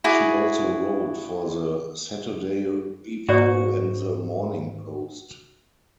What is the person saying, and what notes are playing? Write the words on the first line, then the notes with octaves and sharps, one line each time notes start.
She also wrote for the "Saturday Review" and the "Morning Post".
E4 F#4 G#4 D5
G#2 F#4 C#5 D5 B5